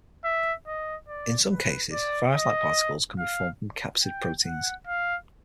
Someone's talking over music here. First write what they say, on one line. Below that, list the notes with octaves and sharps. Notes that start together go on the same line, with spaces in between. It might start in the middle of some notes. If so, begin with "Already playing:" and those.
In some cases, virus-like particles can be formed from capsid proteins.
E5
D#5
D5
B4
D5
D#5
F5
G5
F#5
F5